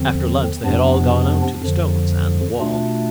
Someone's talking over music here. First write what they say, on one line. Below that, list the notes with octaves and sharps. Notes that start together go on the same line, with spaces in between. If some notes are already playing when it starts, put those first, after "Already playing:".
After lunch they had all gone out to the stones and the wall.
Already playing: E2 D3 F3 C4
F2 C3 F3 B3 D4
F2 D3 F3
B2 A3 D4 F4